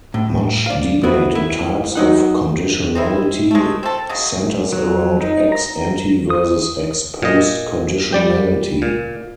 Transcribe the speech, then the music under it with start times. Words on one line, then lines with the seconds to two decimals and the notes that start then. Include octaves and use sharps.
Much debate in types of conditionality centers around ex-ante versus ex-post conditionality.
0.14 A2
0.66 D5 F5
1.03 B3 E4 F#4
1.35 E4
1.95 F#3 D#4 F#5
2.95 C4 D#4 E4
3.51 G#3 A3
3.83 C4 A4
4.09 C#3 F#3 G#3
4.73 F#3
5.20 D#4
5.52 A#5
6.30 D#6
7.23 A#2 D#5
8.13 G3 D5 G5
8.82 A#2